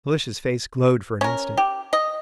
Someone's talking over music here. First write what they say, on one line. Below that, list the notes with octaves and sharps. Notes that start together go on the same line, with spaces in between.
Felicia's face glowed for an instant.
C#4 A#4
G4
D#5